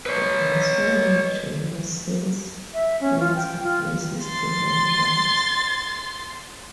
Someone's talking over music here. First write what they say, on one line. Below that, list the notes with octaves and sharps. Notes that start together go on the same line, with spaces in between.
The ensuing journey sees Max embrace his Divine Right.
B4 C#5
E5
C#4
F4
G5
F4
C6 A6